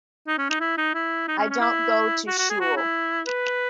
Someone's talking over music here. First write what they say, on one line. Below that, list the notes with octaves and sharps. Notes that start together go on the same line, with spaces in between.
I don't go to shul.
D#4
C#4
D#4
E4
D#4
E4
D#4
C#4
C#4
E4
F#4
F#4
G#4
F#4
E4
B4